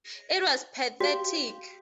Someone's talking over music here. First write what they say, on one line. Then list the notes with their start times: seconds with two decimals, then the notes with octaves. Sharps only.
It was pathetic.
1.00 F#4 G4 F5